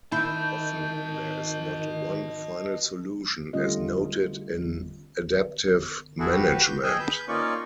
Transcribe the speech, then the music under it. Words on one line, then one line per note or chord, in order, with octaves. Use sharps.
Often, there is not one final solution, as noted in adaptive management.
D#3 E4 D#5 A5 G6
D3 G3 A3 C#4 F4 D#5
E4 F#4 G#4 A4
F#4 G4 B4
G6
G#4 D#5 G5 G#5 E6
B4 G6
A#3 C#4 D#4 F4 D5 C#6